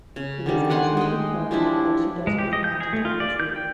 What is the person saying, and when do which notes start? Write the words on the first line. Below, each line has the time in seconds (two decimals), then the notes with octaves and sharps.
It is also confirmed that she doesn't know how to tell the truth.
0.16 C#3
0.46 D3 D#3 G3
0.70 G4 F#5 G#5 C6
0.97 G#3 D#5 G5
1.51 F3 G3 D4 E4
2.27 G#3
2.38 G4
2.53 D#5
2.64 G6
2.80 G#4
2.93 A3
3.05 F4
3.20 D5
3.40 G6
3.56 G5